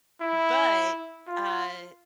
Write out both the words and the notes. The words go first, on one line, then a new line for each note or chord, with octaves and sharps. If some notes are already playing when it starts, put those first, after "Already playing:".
But, uh,
E4
F4